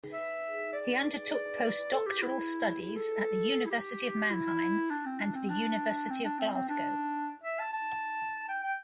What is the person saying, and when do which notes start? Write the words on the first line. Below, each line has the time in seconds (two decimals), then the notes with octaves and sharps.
He undertook post-Doctoral studies at the University of Mannheim and the University of Glasgow.
0.13 E5
0.73 D5
1.32 D5
1.93 A4
2.07 G4
2.22 E4
2.81 E4
2.96 A4
3.66 E4
3.71 G4
4.30 E4
4.91 D4
5.06 C4
5.20 D4
5.35 C4
5.50 D4
6.10 C4
6.25 D4
6.39 C4
6.55 C4
6.69 D4
7.43 E5
7.59 A5
7.73 A5
8.49 G5
8.64 G5